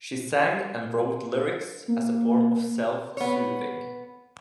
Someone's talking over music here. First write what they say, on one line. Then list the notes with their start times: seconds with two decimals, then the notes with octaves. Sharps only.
She sang and wrote lyrics as a form of self-soothing.
1.88 A#3
3.17 B3 C#5